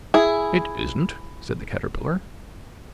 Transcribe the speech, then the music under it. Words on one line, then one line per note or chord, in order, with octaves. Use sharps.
'It isn't,' said the Caterpillar.
E4 G#4